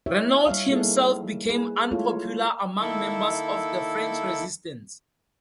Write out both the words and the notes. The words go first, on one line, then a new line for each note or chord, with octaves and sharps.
Renault himself became unpopular among members of the French resistance.
E4 G4 C#5 E5
G3 C#5 E5 F5
G3 A#3 D#4 E4 G#4 A4
G#4 B4
G#3 A3 E4 F4 A4 C#5
D#3 A#3 E4 A4